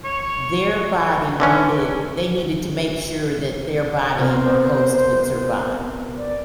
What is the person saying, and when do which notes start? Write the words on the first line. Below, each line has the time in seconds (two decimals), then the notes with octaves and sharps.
their body needed they needed to make sure that their body or host would survive
0.04 C#5
1.40 D3 E3 C#4
4.18 C3 B3 C4 A#4 C5
6.18 D5